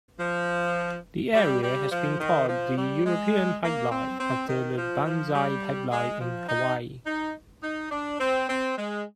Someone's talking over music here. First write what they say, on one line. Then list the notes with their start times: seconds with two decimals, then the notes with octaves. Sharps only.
The area has been called the "European Pipeline", after the Banzai Pipeline in Hawaii.
0.20 F3
1.35 G3
1.63 G3
1.92 F3
2.21 D#3
2.49 F3
2.78 G3
3.06 G#3
3.64 A#3
3.92 C4
4.20 C4
4.49 D#3
4.78 F3
5.06 F3
5.34 G3
5.91 G#3
6.21 F3
6.49 D#4
7.06 D#4
7.63 D#4
7.91 D4
8.20 C4
8.49 C4
8.78 G#3